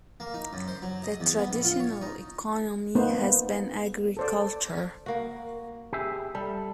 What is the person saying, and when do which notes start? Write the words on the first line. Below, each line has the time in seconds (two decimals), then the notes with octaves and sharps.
The traditional economy has been agriculture.
0.20 A#3
0.34 D#4
0.53 F#2
0.68 C5
0.82 F#3
1.03 D#5
1.20 E2
1.38 B3
1.50 A#1
1.64 F4
1.80 C#5
2.02 D#4
2.95 A#3 B3 D#4 C5
4.17 A4 C5 D5
5.06 A#3 F#4
5.93 G4 G#4 E5
6.35 G3 A4